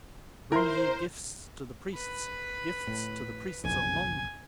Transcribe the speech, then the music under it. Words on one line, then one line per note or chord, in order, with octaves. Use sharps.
Bring ye gifts to the Priests, gifts to the Priests of Mung.
E4 A#4 C5 C6
B4 B5
A2
F#1 B1 F2 G#5